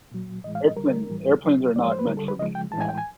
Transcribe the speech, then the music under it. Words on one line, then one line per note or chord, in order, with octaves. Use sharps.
airplane airplanes are not meant for me, yeah.
A#2 F#3
A2 E3 G#3 D#5
F5
D#5
D3 G3 A#4
A2 E3 G3
C#3 F#3
A2 F3 G#3 D5
C#5
C5
B4
D3 G3 A#4
A4
B4
C#3 F3 G#3 D#5
G5
A2 E3 G#3 A5
G#5
G5
G#5